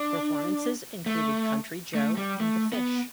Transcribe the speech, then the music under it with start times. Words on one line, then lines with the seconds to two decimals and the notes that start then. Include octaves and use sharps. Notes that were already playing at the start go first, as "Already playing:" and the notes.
Performances included Country Joe and the Fish.
Already playing: D4
1.06 A3
1.95 A3
2.17 G3
2.40 A3
2.73 B3